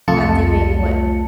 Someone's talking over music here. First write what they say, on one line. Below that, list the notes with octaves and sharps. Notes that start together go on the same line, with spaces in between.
of doing what
C2 F2 A3 F4 A5 C#7